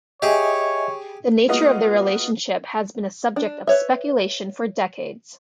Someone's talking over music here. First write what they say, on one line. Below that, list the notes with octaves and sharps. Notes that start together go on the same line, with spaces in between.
The nature of their relationship has been a subject of speculation for decades.
G4 G#4 C#5 D#5 E5 G#5
G#3 A#3 B3 F4 F#4 D#5
D4
B4 C#5 E5